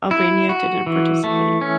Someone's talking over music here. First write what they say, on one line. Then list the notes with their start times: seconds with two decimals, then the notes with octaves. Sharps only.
Albania didn’t participate.
0.11 E4
0.49 F#4
0.86 E3
1.24 A3
1.61 C#4